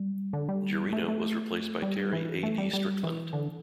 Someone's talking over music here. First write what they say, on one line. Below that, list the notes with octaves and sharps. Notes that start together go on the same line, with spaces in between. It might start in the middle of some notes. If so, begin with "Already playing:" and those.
Gerena was replaced by Terry A. D. Strickland.
Already playing: G3
D3
G3
A3
A3
G3
E3
A3
G3
G3
E3
D3